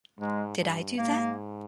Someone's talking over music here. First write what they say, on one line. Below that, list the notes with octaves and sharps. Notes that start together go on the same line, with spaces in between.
Did I do that?
G#2 G#3
G2
G#2 A#3